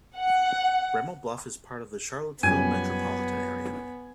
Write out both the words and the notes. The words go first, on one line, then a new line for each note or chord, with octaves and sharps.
Bremo Bluff is part of the Charlottesville metropolitan area.
F#5
F#2 F3 G3 B3 G#5